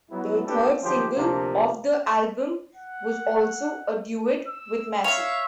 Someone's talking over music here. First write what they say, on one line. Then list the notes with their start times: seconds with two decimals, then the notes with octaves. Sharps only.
The third single off the album was also a duet with Massey.
0.10 F#3 G#3 B3 E4
0.46 A3 C#4 D4 G4 A4 B4
0.83 D#3 F3 F#3 G#3 G4 C5
1.16 D2 C3 F3 A#3 D4
2.75 F#5
4.47 E6
5.04 C#5 E5 F5